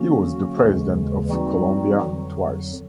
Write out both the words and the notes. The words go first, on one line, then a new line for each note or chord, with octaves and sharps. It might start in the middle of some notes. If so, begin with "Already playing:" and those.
He was the President of Colombia twice.
Already playing: D3 F#3 A#3 C#4 F#4
D#2 C#3 E3 G#3
E3 G3 C4 D#4 F#4
F2 D3 F#3